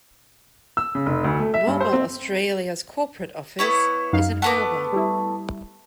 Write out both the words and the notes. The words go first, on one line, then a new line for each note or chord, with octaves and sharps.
Mobil Australia's corporate office is in Melbourne.
E6
C#3
F1
D2
A3
E5
G2
C5
C4
B3 E4 C#5
F#2 D#4 F5
A3 B3 F#5 D6
G3 E4